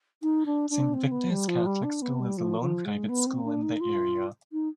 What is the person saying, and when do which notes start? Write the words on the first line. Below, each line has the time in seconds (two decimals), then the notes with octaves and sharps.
Saint Victors Catholic School is the lone private school in the area.
0.22 D#4
0.46 D4
0.70 D4
0.94 C4
1.11 B3
1.30 G3
1.48 F3
1.66 G3
1.83 D4
2.02 B3
2.20 G3
2.37 F3
2.61 F3
2.85 G#3
3.09 B3
3.26 C4
3.45 D4
3.62 D#4
3.81 F4
4.52 D#4